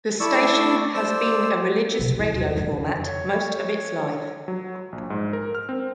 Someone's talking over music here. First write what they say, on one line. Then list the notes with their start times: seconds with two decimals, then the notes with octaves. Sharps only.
The station has been a religious radio format most of its life.
0.20 A3 E4 D5 C#6 E6
0.95 C5 D5 E6
1.99 C#2 B2
2.19 E4
2.36 D#2
2.57 F2 C#3
3.06 C#5
4.48 F#3
4.92 A#1
5.10 G#2
5.33 A#4
5.55 F6
5.69 C4